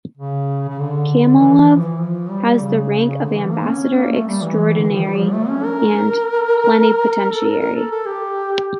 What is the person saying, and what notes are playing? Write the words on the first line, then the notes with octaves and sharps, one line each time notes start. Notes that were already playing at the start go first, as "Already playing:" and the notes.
Kamilov has the rank of Ambassador Extraordinary and Plenipotentiary.
C#3
C#3
D3
E3
E3
F3
E3
F3
G3
C#3
D3
E3
A#3
C#4
C#4
A#3
A3
G3
E3
D3
E3
F3
G3
F3
A3
C#4
A#4
A4
A#4
A#4
A4
A4
G4